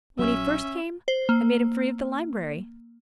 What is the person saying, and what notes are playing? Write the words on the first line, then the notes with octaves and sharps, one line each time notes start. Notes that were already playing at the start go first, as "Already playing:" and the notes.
When he first came, I made him free of the library.
A#1 F#3 C#4 E5
C5
A#3